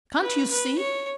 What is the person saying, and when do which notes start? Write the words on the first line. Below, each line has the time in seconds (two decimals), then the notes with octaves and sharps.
"Can't you see?"
0.22 B4
0.51 B4
0.78 C#5